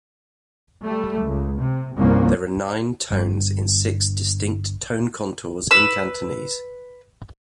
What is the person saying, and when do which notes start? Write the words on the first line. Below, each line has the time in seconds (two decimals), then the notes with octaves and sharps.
There are nine tones in six distinct tone contours in Cantonese.
0.82 G3 A3
1.24 C#2
1.59 C3
1.98 C2 G2 F3 A#3 C#4
3.10 G1 G2
5.71 B4 E6